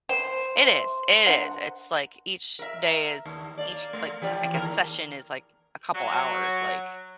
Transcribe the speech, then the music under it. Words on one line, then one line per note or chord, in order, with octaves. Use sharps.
It is it is, it's, like, each day is each, like, I guess session is, like, a couple hours, like,
B4 C5 G5
E5
D4 A#4 F#5
A#4 E5
D#2
A#3 D5
A3
E3 G4 D5
D#2 A#4
F#3